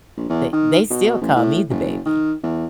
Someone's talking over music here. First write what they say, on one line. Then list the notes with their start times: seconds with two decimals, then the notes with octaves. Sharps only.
they they still call me the baby.
0.17 A#1
0.29 E2
0.53 D#3
0.90 B2
1.21 A1
1.36 A2
1.70 F#1
2.06 D#3
2.43 E2